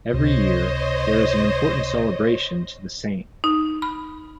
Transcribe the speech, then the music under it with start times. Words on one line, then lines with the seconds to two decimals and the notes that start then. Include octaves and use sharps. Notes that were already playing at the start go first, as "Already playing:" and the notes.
Every year, there is an important celebration to the Saint.
0.13 C#2 C3 C5 C#5 D#5
3.44 D#4
3.82 B5